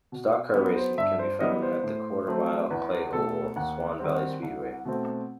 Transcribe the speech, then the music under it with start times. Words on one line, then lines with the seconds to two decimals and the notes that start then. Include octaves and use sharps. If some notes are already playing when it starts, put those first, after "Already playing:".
Stock car racing can be found at the quarter-mile clay oval Swan Valley Speedway.
0.12 B2
0.55 F#3 B3 B4
0.76 C5
0.98 G2 E5
1.19 C5
1.40 E3 G3 B3 D#5
1.62 C5
1.84 A2
2.27 F#3 A3 C4
2.70 E2 B4
3.13 B2 A3 A4
3.56 D#2 F#5
3.99 D#3 G3 C4
4.42 C2
4.85 B2 A3 C4